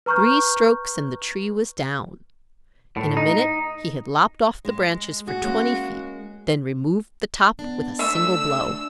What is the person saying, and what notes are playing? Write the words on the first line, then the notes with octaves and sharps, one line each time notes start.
Three strokes, and the tree was down. In a minute he had lopped off the branches for twenty feet, then removed the top with a single blow.
B4 A#5 C#6 F6 G6
A2
D#4
G#3
F#4 G#4
G#3 A#3 C#4
B3 D4
A3 E5 E6